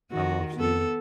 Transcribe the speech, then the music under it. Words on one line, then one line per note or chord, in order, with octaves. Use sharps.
I don't know if you
D#3 F#4
B3 A4